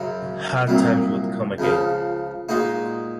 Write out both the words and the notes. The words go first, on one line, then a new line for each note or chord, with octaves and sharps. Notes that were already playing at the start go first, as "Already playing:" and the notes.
Hard times would come again.
Already playing: F#2 C#3 F#3
C2 A#2 F#3
C#2 C#3 F3
A#2 G#3 D#4 F#4